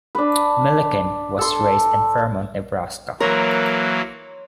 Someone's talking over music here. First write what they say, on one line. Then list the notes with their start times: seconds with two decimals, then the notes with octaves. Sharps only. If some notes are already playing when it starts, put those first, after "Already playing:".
Milliken was raised in Fremont, Nebraska.
0.15 D4 B4
1.39 A4 C6
3.20 E3 F#3 A#3 A#4 C#5 A#5 C6